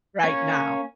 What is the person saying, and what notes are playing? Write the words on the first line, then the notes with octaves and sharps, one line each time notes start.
right now
A#3 C#4 C#5